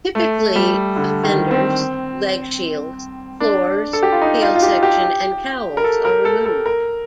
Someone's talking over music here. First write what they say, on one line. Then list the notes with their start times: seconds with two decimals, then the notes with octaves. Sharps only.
Typically, the fenders, leg shields, floors, tail section and cowls are removed.
0.15 A3
0.56 G3
0.96 D3
1.24 D#3
1.51 C4
3.40 D4
3.93 A4
4.03 G4
4.12 F4
4.22 D#4
4.42 F4
4.55 F4
4.62 G4
4.83 G4
5.77 A#4
5.84 A4
6.05 A#4
6.25 A4
6.45 A4
6.66 A#4